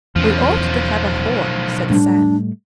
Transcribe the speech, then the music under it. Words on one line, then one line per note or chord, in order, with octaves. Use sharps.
"We ought to have a horn," said Sam.
B1 E2 F3 C#4
A2 G3 A3 D4